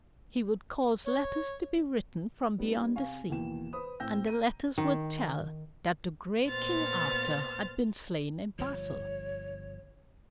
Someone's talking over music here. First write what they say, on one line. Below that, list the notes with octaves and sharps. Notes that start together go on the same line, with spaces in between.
He would cause letters to be written from beyond the sea, and the letters would tell that the great King Arthur had been slain in battle.
C#5
G3 B3 C#4 D#4
C3 F5 G#5 C#6
D#2 B2 E3 G5 E7
B4 C5 B5 D#6
A2 C4 G5 E6 G6 A#6
A#5 D#7
D#3
A#2 B3 C5 F6 A6
G1 F3 C#5